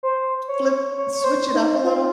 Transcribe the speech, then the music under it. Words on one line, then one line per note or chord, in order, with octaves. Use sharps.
flip switch it up a little
C5
C#5
C#5
C#5
C5
D#4
F4